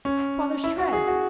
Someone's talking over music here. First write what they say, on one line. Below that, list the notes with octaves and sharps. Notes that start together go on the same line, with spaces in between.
Father's tread!'
C#4
E4
F#4
G#4
F#4